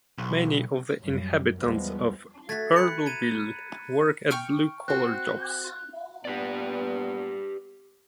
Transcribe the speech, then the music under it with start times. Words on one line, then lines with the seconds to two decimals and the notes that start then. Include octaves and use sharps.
Many of the inhabitants of Earlville work at blue-collar jobs.
0.18 B1
1.01 F#2 G3
1.58 E2 F3 G3 G#3 B3
2.49 A3 F#4 G#6 A6 B6
2.76 B5 F#6 C#7
3.06 A#5 G#6 D#7
4.31 G5 C#6 F6
4.88 C4 F#4 F#6
6.25 A#2 B3 G4 B4 D5